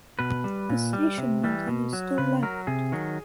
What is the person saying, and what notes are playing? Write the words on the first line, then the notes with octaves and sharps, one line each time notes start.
The station building is still left.
B2 B4
G3
A#2
G3
C3
E3 G3
B2
F#3
C#3 B4
F#3 A#4
C3 G#4
D#3 F#3